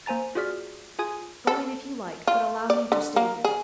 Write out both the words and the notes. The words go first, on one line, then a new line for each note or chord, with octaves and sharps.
"Go in, if you like, but allow me to stay here."
A#3 C5 G#5 A#5 A6
F4 F#4 G#4 D5 F6 B6
F4 G#4 G#5 D#6 G#6
A4
F4
D5
D3
A#3
G#4